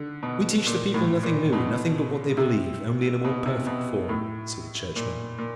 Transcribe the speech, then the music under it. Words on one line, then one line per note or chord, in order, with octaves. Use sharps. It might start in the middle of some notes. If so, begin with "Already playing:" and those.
"We teach the people nothing new, nothing but what they believe, only in a more perfect form," say the Churchmen.
Already playing: D3
B2
A#2
A2
A#2
B2
C3
B2
C3
B2
A2
A#2
A#2